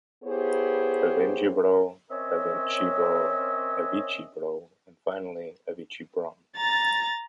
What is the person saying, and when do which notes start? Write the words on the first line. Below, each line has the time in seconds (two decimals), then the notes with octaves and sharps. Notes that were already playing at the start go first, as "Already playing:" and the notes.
Avengebrol, Avencebrol, Avicebrol, and finally Avicebron.
0.25 B3 E4 G4 G#4 C5 C#5
2.10 C4 C#4 A#4 C#5 D#5 E5
6.57 A#5 A6